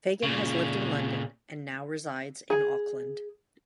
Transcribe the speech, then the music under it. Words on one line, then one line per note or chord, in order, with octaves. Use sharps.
Fagan has lived in London and now resides in Auckland.
A#2 C#3
G#4